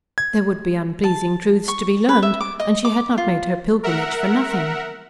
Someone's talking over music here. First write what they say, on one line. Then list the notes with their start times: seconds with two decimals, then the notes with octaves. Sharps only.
There would be unpleasing truths to be learned, and she had not made her pilgrimage for nothing.
0.18 G#6
1.04 A5
1.68 C#6
2.09 B4
2.23 E5
2.41 D6
2.60 D#5
2.85 D6
3.18 F4
3.83 A#4 E5 F#5